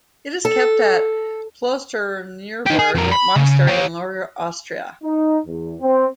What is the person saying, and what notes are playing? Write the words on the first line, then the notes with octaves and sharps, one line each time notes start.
It is kept at Klosterneuburg Monastery in Lower Austria.
A4
D#4 G4
G#4
F2 A#4
B5
C#3
G4 C#5
D#4
E2
C4